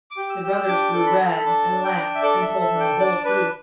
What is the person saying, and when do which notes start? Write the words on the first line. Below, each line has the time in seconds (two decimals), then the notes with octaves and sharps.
The brothers grew red, and laughed, and told him the whole truth.
0.11 D6
0.17 G4
0.30 E6
0.43 G4
0.49 E6
0.68 D4 D6
0.94 A4
1.07 B5
1.19 A4
1.40 B5
1.45 D4 A5
1.71 D4
1.84 G5
1.96 D4
2.15 E5
2.22 A4 D5
2.42 E5
2.48 A4
2.61 E5
2.74 D4
2.80 G5
2.99 D4 D5
3.25 D4 B4